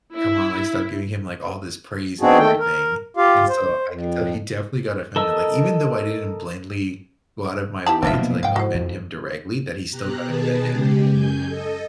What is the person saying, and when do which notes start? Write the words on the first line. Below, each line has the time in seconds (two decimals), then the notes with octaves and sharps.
"Come on, like, stop giving him, like, all this praise and everything." And so I can tell he definitely got offended, like, even though I didn't blatantly go out of my way to, like, offend him directly, that he still got offended
0.15 E4
2.21 B3 C4 D4 D#4 F#4 G#4
2.39 D#3 A3 A4 G5
2.59 A#4
3.17 F4 G4 F5
3.48 C5
3.88 F2
5.16 A4 A#4 D#5 E6
7.86 D#4 E4 G4 A5 A#5
8.03 G#1 D#2 C3 F3 F#3 D4 F4 E5
8.17 B2 A#3
8.43 G#2 F5 G5
8.56 A2 E4 F#4 C5
8.74 F2
9.90 B2 G4 A#5 F#6
10.27 B2 D#3 G#4 B4 A5
10.71 C#3 G#3 G4
11.11 F#2 G#5 G6
11.47 A4 D#5